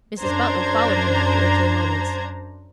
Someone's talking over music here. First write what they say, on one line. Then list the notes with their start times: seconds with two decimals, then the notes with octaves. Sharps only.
Mrs. Butler followed him after a few moments.
0.22 F#2 D4 C5 A#5 G#6